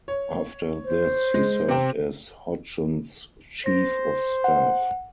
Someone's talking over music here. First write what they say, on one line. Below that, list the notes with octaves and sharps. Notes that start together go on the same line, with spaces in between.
After this, he served as Hodgson's chief of staff.
C#5
C5
G#3
C3 C4
C5 A#6
F#5